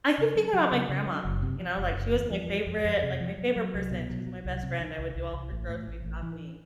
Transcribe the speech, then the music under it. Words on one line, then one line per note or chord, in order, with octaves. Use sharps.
I keep thinking about my grandma, you know, like, she was my favorite, like, my favorite person, she was my best friend, I would do all of her grocery shopping,
C#3
F#3
F#3
C#3
C#3
F#3
F#1
C3
F3
F#1
F#1
E2
F3
F2
F2
F2
C3
F3
F#3
F#3
C2
B2
F#3
F#3
C2
C3
D#3
C2
C2
C2
A1
A2
A1
A1
E3